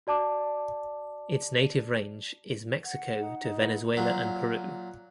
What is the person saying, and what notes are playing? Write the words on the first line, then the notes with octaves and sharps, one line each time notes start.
Its native range is Mexico to Venezuela and Peru.
F#4 D5 A5 D6
F#5
D#4
D#4
E4 B4 F#5
A#2 F#3